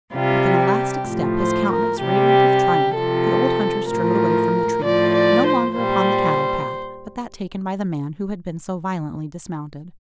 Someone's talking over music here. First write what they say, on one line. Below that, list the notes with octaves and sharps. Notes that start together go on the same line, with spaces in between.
With an elastic step--his countenance radiant of triumph--the old hunter strode away from the tree, no longer upon the cattle path, but that taken by the man who had been so violently dismounted.
C3 G3 F4
G4
A2 F3
C5
A#4
C3 G3 G4
C3 F3 A4
A2 F3 A#4
A2 F3 D5
D5
C5
A#2 G3 C5